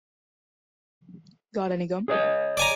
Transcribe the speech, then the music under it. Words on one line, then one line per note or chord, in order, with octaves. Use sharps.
Got Any Gum?
G#4 C#5 D#5
D5 G#5 A#5